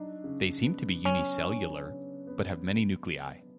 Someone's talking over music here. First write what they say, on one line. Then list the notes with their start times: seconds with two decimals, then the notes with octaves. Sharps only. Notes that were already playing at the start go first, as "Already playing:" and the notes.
They seem to be unicellular, but have many nuclei.
Already playing: F#3 D4 D#4
0.24 C#3
0.64 B3
1.05 F#3 C#4
1.46 D4
1.87 C#3
2.27 B3